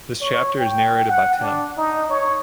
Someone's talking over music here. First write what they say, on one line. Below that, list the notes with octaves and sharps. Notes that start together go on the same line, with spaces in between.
This chapter is narrated by Tim.
C#5
G5
F#5
D4
D#4
C#5